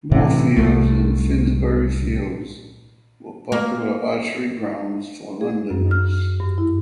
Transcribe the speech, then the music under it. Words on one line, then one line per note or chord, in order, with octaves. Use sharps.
Moorfields and Finsbury Fields were popular archery grounds for Londoners.
A2 C3 E3
C2 A3
A#3
G#4
F#2
F6
G2
E4